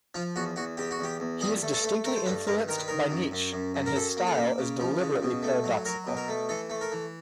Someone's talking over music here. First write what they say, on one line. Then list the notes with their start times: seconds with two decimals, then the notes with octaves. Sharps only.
He is distinctly influenced by Nietzsche and his style is deliberately paradoxical.
0.14 F3 F4
0.36 E2 F#4
0.56 E2 F#4
0.77 E2 G4
0.91 F#4
0.99 E2 G4
1.20 E2
1.41 G2 G#4
1.62 A3
1.73 A4
1.84 A3
2.04 A3 A#4
2.16 C5
2.26 G2 B4
2.47 G2 A#4
2.68 D#3 A#4
2.78 B4
2.88 D#3 A#4
3.10 F#2
3.31 F#2
3.53 F#2
3.74 F#2
3.86 A#4
3.96 F#2 A4
4.17 A#3
4.27 A4
4.38 A#3
4.59 C#3
4.80 F3
5.02 C#3
5.23 B2
5.43 A3
5.64 F#3
5.86 F#3 A#4
6.07 B2
6.17 A#4
6.28 A3
6.49 E3 A4
6.70 A3
6.81 A#4
6.92 E3